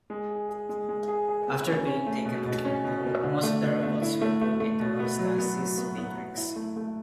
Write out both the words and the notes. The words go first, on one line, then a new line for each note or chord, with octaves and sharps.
After being taken over, most of the robots were put into a stasis matrix.
G#3
G#4
G#4
G#3
G#3
G#4
G#4
B3
C#4
C#4
A3
B2
B2
C#4
B2
B2
D3
A3
D3
A3
E4
A3
A3
A3
B2
B3
F#3
B3
F#3
B3
B3
B3
E4
A3
A3